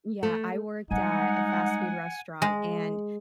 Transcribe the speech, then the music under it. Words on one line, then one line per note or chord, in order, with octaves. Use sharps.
yeah, I worked at a fast food restaurant, and
A3
G3 G#3 D#4 F#5 G#5
G#3